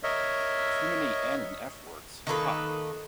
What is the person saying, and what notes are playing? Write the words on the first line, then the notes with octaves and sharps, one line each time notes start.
Too many N and F Words, ha?
A#4 C#5 D#5 E5
D#3 A#3 A4 B4